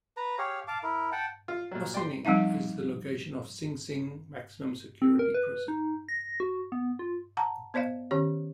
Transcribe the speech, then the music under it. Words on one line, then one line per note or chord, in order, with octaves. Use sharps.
Ossining is the location of Sing Sing maximum-security prison.
B4 A#5
G4 G#4 C#5 F5
F5 A5 D6
E4 A#4
F#5 G5 A5
F4
A#2 F#3
D5 G5 C6
F3 G3 C4 D#4 E5
C4
A#4
B4
D#4
A#6
F#4
B3
F4
F#5 A5 A#5
B3 C5 D5 D#5 F5
D#3 C#4 G4 C#5